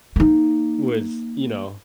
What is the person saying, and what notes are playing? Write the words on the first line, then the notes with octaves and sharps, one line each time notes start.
with, you know
A#3 D#4